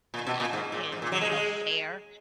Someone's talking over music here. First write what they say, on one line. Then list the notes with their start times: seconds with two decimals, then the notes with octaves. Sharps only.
an African, you know, fare,
0.14 A#2
0.27 B2
0.40 A#2
0.53 G#2
0.72 A#2
0.92 G#2
1.02 A#2
1.12 F#3
1.21 G#3
1.32 G#3